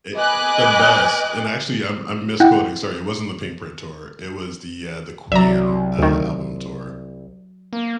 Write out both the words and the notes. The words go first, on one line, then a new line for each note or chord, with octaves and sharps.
It The best, and actually I'm I'm misquoting sorry, it wasn't the Pinkprint Tour it was the, uh the Queen, uh, album tour.
B4 D#5 G#5 D6 F#6
E4 F#5 G5
C2 F#3 D5 E5 A#5
D2 D#3
A#3